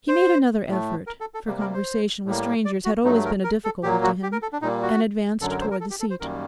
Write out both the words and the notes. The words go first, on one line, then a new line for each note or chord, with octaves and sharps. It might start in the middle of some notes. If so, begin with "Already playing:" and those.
He made another effort--for conversation with strangers had always been a difficulty to him--and advanced towards the seat.
C5
A2 A3
A#4
A4
A4
C3 G3 A#3
A#4
C5
A2 G3 A#3
D5
F#4
G2 F#3 A3 D#4
A#4
A#4
A4
A#2 F#3 A#3 G4
F#4
G4
A#4
A4
D4
A#2 G3 A#3 D#4
F#4
F#2 D3 F#3 A4
A#4
C5
A#4
A4
G4
A4
C5
F#2 D#3 G3 A#3 A#4